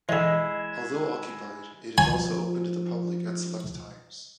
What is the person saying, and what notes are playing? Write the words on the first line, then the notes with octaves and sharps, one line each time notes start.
Although occupied, it is also open to the public at select times.
D3 E3 G#3 E4 D#5
F3 G#5